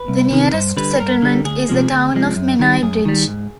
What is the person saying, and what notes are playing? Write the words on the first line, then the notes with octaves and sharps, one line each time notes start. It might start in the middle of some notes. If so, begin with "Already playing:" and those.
The nearest settlement is the town of Menai Bridge.
Already playing: B4
C2
C3 D#3
G2 C5
D3 G3 B4
G2 A#4
D3 G3
D2 G#4
C3 F3 G#3
D2
C3 F3 G#3
F#2
D#3 G3
F#2 G#4
D#3 G3
G#2